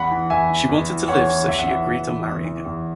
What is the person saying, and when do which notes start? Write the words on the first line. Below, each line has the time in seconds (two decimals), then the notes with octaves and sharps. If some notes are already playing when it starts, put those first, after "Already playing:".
She wanted to live so she agreed on marrying him.
Already playing: E2 F#5 B5
0.11 E3
0.30 E2 E5 G#5
0.50 E3
0.69 E2
0.89 E3
1.08 E2 C#5 F#5
1.29 E3
1.48 E2 E5
1.59 F#5
1.68 E3 E5
1.87 E2
2.07 E3
2.26 E2
2.45 E3
2.65 E2